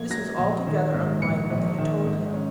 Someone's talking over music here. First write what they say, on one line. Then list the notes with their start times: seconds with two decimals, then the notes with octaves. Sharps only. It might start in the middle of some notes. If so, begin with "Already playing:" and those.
This was altogether unlike what they had told him.
Already playing: A#1 A#3 G#6
0.10 F#3 A#6
0.39 A#1
0.67 D#3
0.94 G#2
1.22 A#1 C#7
1.50 A#1
1.78 D#3
2.06 G#2
2.34 C#4